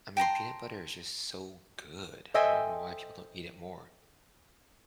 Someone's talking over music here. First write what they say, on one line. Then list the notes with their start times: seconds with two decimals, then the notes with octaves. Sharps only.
I mean, peanut butter is just so good. I don’t know why people don’t eat it more.
0.17 G5 A5 A#5 C6
2.34 A4 C5 D#5 E5 G5 G#5